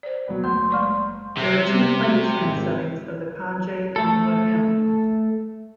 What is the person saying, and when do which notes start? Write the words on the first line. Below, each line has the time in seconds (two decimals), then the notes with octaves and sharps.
There are two plainchant settings of the Pange lingua hymn.
0.03 C5 D5
0.28 F#3 B3 B4
0.44 F#1 A3 C6 G6
0.71 G#3 D5 C#6
1.37 C3
1.67 G3
2.07 F#4
2.44 G#1
3.96 A3 A4